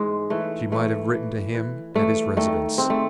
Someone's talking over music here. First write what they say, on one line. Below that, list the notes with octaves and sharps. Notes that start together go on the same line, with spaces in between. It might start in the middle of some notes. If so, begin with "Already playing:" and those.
She might have written to him at his residence.
Already playing: G#2 E3 G#3
E3 A3
E3 A3
E3
E3
E3 A3
D#3 A3
G#2 C4
A3